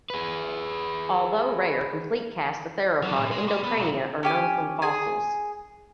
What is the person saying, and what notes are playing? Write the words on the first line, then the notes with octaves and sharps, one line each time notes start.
Although rare, complete casts of theropod endocrania are known from fossils.
G#4 B4
F#3 D4
A2
G#3
G3
B3 B4
B1
C#4 G4 G#5
G#4 G#5